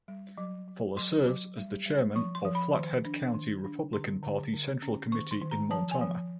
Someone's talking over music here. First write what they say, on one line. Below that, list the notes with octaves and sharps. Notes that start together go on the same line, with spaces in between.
Fuller serves as the chairman of Flathead County Republican Party Central Committee in Montana.
G3
F#3
F#3
F#3 C6
F#3
G3
G3
F3 C#6
C6
F3
B5
D#3
D4
D#3
D4
D3 C6
D3
D3
C#4
D#3 C#6
C6
D#3
A#5
F3 A5
G#5
F3